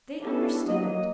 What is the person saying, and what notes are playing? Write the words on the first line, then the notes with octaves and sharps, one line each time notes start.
They understood.
B3 C#4 D4 E4 G4 A4
F#3 A#3 D#5